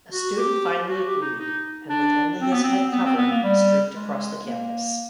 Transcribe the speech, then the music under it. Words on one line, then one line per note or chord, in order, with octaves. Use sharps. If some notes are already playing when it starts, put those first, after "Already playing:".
A student finally agreed, and with only his head covered, streaked across the campus.
F#4
G4
F#4
G4
D#4
D#4
D4
C4
B3
C4
B3
C4
B3
A#3
G3
G#3
A#3